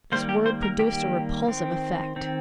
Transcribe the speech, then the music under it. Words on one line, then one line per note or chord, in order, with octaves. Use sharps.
This word produced a repulsive effect.
D#3 G3 A#3 C5
G4
C5
A#4
D#3 G3 A#3 G4
D#3 C4
D#3 C4